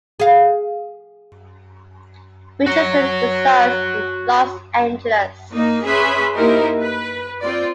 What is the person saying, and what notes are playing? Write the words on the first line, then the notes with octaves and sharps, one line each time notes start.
Richardson resides in Los Angeles.
G#4 F5
F#4 C#5
A#3 D#4
C#4 G#4 B4 E5 B5 C6
A#3 D#4 E4 G4 A#4 C5
B4
C4 F4 D5